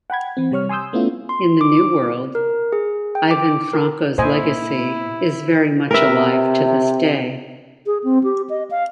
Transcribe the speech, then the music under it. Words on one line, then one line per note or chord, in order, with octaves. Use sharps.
In the new world, Ivan Franko's legacy is very much alive to this day.
F#5 G5 B5 G#6
E3 C4
C3 G3 C#5 C#6 F6
G#5 C6 D#6 E6 G6
A3 B3 C#4 E4 F4
C6
D6
A#4
G#4
G5
D6
A#4
A#2 E4 C5 D#5 G#5
C3 A#4 B4 E5
G#4
C4
G4
D#5
F5